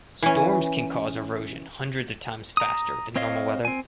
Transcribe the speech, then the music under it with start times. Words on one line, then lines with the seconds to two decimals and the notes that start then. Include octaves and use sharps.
Storms can cause erosion hundreds of times faster than normal weather.
0.23 E3 C#4
2.57 A#5 D#6
3.16 C4 C#5 D#5 F5
3.65 C4 G#5